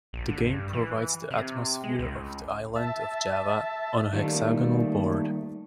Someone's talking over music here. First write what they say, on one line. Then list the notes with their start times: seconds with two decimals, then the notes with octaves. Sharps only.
The game provides the atmosphere of the island of Java on a hexagonal board.
0.13 A#1
0.29 D3
0.46 G2
0.73 E3
1.31 C3
1.84 G#3
1.99 C#2
2.76 E5 A5
4.13 D#3 G3 A3 A#3